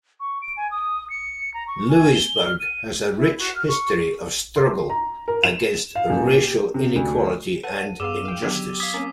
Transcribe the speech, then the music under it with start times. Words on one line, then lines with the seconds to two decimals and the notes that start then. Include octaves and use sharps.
Louisburg has a rich history of struggle against racial inequality and injustice.
0.20 C#6
0.42 D7
0.57 G#5
0.71 D#6
1.10 C#7
1.54 A#5
1.68 C#6
1.90 G#5
2.14 G7
2.46 F6
2.60 D#7
3.17 E4
3.39 F#4
3.55 F6
3.68 C#6
4.56 C6
4.90 A#5
5.28 A#4
5.44 E7
5.95 F5
6.10 D#1
6.26 G4
6.74 C3
6.96 D2
7.63 A4 B4 C#5 F#5 A5 D#7
8.00 G2 B3 G#4 F5 D6 E6 E7
8.25 F5 G5
8.42 D3 D#3 F#3 B3 D4 G4
8.80 F5 D#6 G#6 B6
8.94 A#3 C4 C#4 A#4